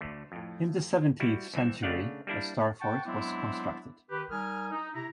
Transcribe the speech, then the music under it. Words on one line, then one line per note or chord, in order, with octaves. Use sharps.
In the seventeenth century, a star fort was constructed.
D2 D3 A3
F2 A2
G3 E4 F#4
C2 E3 C4 E5
C#3 A3 D4 D5 F5 F#5
G3 A#3 D4 E4
F#5 G5 A5 C#6
F#3 G#3 B3 C4 D4 E4
D#3 G4 B4
G3 D#4 A#4 G#5 D#6 F6
D#4
C3 E4 A#5